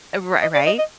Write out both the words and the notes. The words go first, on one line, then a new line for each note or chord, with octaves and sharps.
uh, ri right?
D#5
D5
D#5
D#5